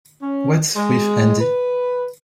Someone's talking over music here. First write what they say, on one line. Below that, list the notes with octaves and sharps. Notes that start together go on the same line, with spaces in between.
What's with Andy?
C#4
G#3
B4